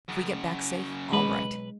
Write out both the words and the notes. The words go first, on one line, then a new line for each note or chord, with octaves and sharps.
If we get back safe--all right.
F#2 C#3
B1 G#3 B4